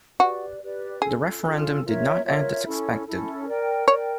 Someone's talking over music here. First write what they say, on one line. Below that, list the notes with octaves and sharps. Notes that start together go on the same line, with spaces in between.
The referendum did not end as expected.
F#4 G4 B4 D5
G4 B4 D5
C#4 F4 G#4 A4
C#4 F4 A4
F4 A#4 C#5 E5
F4 A#4 C#5 E5
C#4 E4 A4
C#4 E4 A4
A#4 D5 G5
A#4 C#5 D5 G5